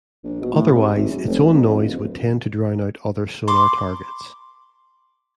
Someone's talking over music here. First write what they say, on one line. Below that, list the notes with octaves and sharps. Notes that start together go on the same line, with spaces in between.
Otherwise, its own noise would tend to drown out other sonar targets.
A#1
B2
A2
C3
G#1
F#2
F1
F2
F2
D1
B5 C6 D6